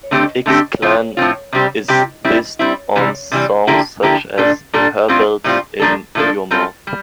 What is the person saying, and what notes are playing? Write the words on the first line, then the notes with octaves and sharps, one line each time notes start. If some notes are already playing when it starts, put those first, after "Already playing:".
X-Clan is dissed on songs such as Herbalz in Your Mouth.
D3 A3 C4 G4
D3 A3 C4 G4
A2 F3 C4 F4
A2 F3 C4 F4
C3 G3 C4 G4
C3 G3 C4 G4
G3 C4 E4
G3 C4 E4
C3 E3 G3
C3 E3 G3
D3 F3 A#3 E4 G4
D3 F3 A#3 E4 G4
A#2 G3 D4 A4
A#2 G3 D4 A4
A2 G3 C4 F4
A2 G3 C4 F4
A2 F3 A#3 D4 A4
A2 F3 A#3 D4 A4
G3 C4 F4 A4
G3